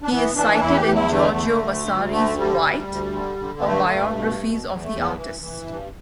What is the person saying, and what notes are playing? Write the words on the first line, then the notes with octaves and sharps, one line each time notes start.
He is cited in Giorgio Vasari's "Vite" or biographies of the artists.
D4
E3 B3
E3 D4
D4
E2 E4
G4
E2
E4
D3 A3
D3
D2
D2
D3 A3
D3 G3
D2
D2
D3
D3
B3
G2 A3
G2
B2
B2
E2
A3
E2
B3
E3
E3
G2